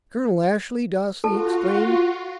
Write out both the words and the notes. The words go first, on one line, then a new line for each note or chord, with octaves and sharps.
"Colonel Ashley!" Darcy exclaimed.
F4 F#4 A4 A5